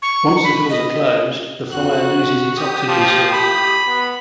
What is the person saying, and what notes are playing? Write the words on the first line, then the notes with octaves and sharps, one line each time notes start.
Once the doors are closed, the fire loses its oxygen source.
C#6
B5
D#5
F2 F#4 F#6
G4 D#6
F3
A2 B5
B3